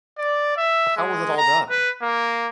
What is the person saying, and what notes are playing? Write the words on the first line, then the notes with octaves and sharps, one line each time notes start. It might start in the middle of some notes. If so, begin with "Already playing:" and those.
But how was it all done?
D5
E5
G#3
A#5
B4
A#3